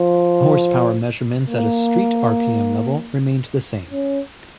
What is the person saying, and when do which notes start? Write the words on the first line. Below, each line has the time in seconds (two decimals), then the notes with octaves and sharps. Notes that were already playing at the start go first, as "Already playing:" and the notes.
Horsepower measurements at a "street" rpm level remained the same.
Already playing: F3
1.46 A#3
3.91 C#4